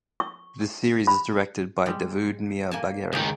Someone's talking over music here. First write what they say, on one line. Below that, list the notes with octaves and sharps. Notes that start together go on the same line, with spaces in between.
The series is directed by Davood Mir Bagheri.
C#6
B5
G3 G#3
A#3 G#5 A5
C#2 D#3 G#4 G5